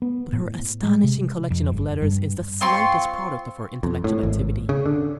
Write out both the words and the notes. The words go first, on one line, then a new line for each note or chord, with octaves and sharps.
But her astonishing collection of letters is the slightest product of her intellectual activity.
B3
A2
G#3
C3
F2
G1
G2
C4 F4 C6 C#6
F2
A2
G#1
C#3
D3